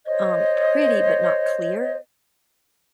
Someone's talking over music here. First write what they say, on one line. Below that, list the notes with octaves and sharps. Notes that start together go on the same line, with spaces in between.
um, pretty but not clear,
C5 C#5 D#5